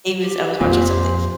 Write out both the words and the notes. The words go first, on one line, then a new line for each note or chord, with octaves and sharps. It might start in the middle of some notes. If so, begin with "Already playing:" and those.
he was I was watching something,
G4
F2 A#2 C5